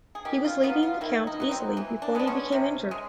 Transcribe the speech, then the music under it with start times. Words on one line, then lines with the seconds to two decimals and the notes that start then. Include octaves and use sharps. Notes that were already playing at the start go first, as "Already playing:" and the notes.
He was leading the count easily before he became injured.
0.15 G#4
0.25 D#3 G4
0.45 F4
0.64 F#3 B3 F4
0.83 F4
1.01 D#3 E4
1.27 D#4
1.40 F#3 B3
1.51 C4
1.77 E3
2.02 D4
2.15 G#3 B3 D4
2.27 C#4
2.52 C3
2.91 G#3